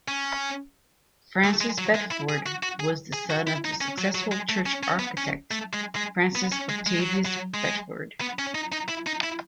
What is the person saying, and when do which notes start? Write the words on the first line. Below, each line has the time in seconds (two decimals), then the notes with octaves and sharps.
Francis Bedford was the son of the successful church architect Francis Octavius Bedford.
0.08 C#4
1.45 A3
1.61 G#3
1.78 F#3
1.95 G#3
2.11 E4
2.29 G#4
2.46 F#4
2.63 F#4
2.80 G#4
3.13 G#4
3.30 F#4
3.47 E4
3.65 D#4
3.81 C#4
3.98 F#3
4.15 F#3
4.32 G#3
4.49 A3
4.66 C#4
4.83 C#4
4.99 B3
5.17 C#4
5.51 A3
5.73 G#3
5.96 G#3
6.35 B3
6.52 C#4
6.69 G#3
6.86 G#3
6.99 F#3
7.26 F#3
7.54 G#3
8.21 B3
8.39 C#4
8.55 D#4
8.72 D#4
8.89 E4
9.07 D#4
9.23 E4